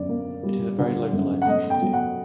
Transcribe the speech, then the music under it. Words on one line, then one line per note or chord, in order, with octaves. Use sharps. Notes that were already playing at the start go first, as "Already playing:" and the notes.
It is a very localised community.
Already playing: F#2 D3 D5
A#3
G3
D3
F#2
F#5
A3 D#5
G5
F#3
F#5